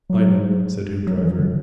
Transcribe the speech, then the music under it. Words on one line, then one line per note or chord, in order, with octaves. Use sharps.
"I know," said Hoopdriver.
F#3
F#3
F#3
E3
D3